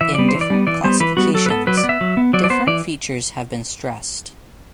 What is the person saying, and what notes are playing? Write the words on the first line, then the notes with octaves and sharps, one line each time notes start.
In different classifications, different features have been stressed.
E3 E5
G3 B3 D5
C5
E3
D5
G3 B3
E3 D5
G3 B3 C5
E3 B4
G3 B3 F#4
F#3 A4
B4
B3 A4
F#3 B4
D5
B3
E5
F#3
B3
F#3 D5
D5
B3 C5
E3 D5